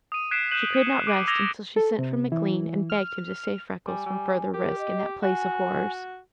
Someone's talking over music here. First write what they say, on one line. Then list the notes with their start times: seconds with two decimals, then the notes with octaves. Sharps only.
She could not rest until she sent for McLean and begged him to save Freckles from further risk, in that place of horrors.
0.12 D#6 D#7
0.31 F#6 G#6 B6 C7 D7 E7
0.51 F#6 G6 D#7 E7 F#7
0.75 C#7 D#7
1.07 D6 F#6 D7 D#7 F#7
1.27 D6 E6 G#6 A#6 F7 G7
1.76 A4
1.98 C3
2.32 E3
2.90 F6
3.87 G3 G#5
4.06 G3
4.54 G4 A#4
4.79 D#5
5.23 F#4 G#5